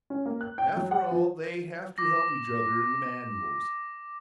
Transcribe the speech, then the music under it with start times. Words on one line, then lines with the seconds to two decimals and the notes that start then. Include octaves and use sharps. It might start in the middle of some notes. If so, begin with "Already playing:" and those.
After all, they have to help each other in the manuals.
0.10 C#4
0.26 A#3
0.41 F#6
0.58 G5
0.76 F#3
0.91 F#5
1.11 F3
1.98 D6 A#6